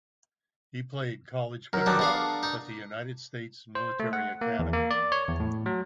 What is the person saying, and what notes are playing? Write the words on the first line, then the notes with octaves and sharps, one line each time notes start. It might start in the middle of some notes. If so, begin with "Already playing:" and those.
He played college football at the United States Military Academy.
F#2 A#4
D#3 E3 F#3 D4 A5 D6
B3 G#4 F5
D#4
C5
A3
F#5
A#3
E2
A#3
D5
C#5
E2
A2
F#3